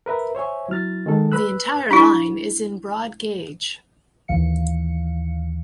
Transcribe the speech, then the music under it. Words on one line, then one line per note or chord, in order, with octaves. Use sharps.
The Entire line is in broad gauge.
A#4 B4 E5
C5 C#5 E5 G#5
F#3 E4 F6 A6
D#3 G#3 A4
B4 B5 E6 F#6
D4 E4
D#2 E3 F5 C#7